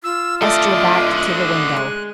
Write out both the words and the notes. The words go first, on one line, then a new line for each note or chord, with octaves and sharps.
Estra backed to the window.
F4 E6
D3 A3 D5 D#5
F#6
G#3